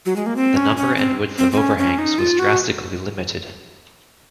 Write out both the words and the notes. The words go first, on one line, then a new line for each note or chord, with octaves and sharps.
The number and width of overhangs was drastically limited.
F#3
G#3
A#3
C4
C#4
C#4
C4
C4
C4
C#4
C#4
D#4
F4
F#4